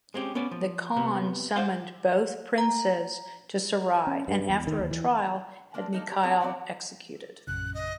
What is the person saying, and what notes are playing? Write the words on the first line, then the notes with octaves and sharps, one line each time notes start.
The khan summoned both princes to Sarai and, after a trial, had Mikhail executed.
G#3 C4 C#4 G4
B3 C#4 B4 D5
F3
C2 C3 B3
C5 D5 F5 F#5 C6
A#5
C#4
G2
E2
D#3
D#2
E3
G#3 A#3 C4 D4
A#3 D#4 A4
G3 F#4 G4
G3 B3 C4 D4 A4
E3 F#3 B3 C4 D5
A#1 F#2 C#3 F#6
D#5